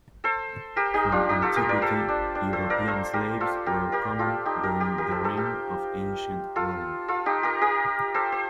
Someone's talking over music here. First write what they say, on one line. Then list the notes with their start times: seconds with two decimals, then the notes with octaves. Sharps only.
From Antiquity, European slaves were common during the reign of Ancient Rome.
0.24 A4 C5
0.76 G4 A#4
0.94 D#4 G4
1.12 D4 F4
1.29 D#4 G4
1.42 F4 A4
1.56 G4 A#4
1.69 A#4 D5
1.82 A4 C5
2.09 D4
2.35 D4
2.53 A4 C5
2.70 A#4 D5
2.87 A4 C5
3.13 G4 A#4
3.40 F4 A4
3.66 G4 A#4
3.92 G4 A#4
4.19 F4 A4
4.45 D#4 G4
4.63 G4 A#4
4.80 G4 A#4
4.98 G4 A#4
5.11 A4 C5
5.24 A4 C5
5.37 G4 A#4
6.56 F4 A4
7.08 F4 A4
7.26 D#4 G4
7.43 G4 A#4
7.61 G4 A#4
8.14 A4 C5
8.32 C5